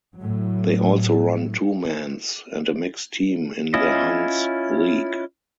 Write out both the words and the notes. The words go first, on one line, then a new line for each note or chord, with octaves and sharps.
They also run two men's and a mixed team in the Hunts league.
A2 F#3
C#4 E4 F4 D#5